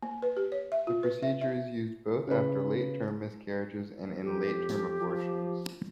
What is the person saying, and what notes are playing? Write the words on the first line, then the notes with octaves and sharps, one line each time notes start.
The procedure is used both after late-term miscarriages and in late-term abortions.
A#3
B4
G4
C#5
E5
F4
B4
E5
E5
C#3 B4
F2 G4
F3